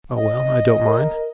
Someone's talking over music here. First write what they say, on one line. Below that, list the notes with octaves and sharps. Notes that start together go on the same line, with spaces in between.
"Oh well--I don't mind."
D#5
A#4